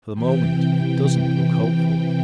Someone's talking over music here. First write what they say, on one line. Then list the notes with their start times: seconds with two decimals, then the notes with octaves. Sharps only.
For the moment it doesn't look hopeful.
0.14 C3 E3 G5
1.73 G5